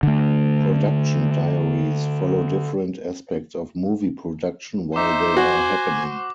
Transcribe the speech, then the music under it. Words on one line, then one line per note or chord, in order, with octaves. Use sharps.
Production diaries follow different aspects of movie production while they are happening.
D3 A3
D#4 C5 E5 D6
F#4 G#5